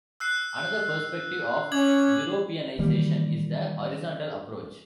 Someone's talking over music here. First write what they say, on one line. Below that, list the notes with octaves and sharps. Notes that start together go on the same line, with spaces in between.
Another perspective of Europeanisation is the 'horizontal approach.
E6 F#6 C7
C#4 D6 G#6 F#7
D#3 E3 G3 A#3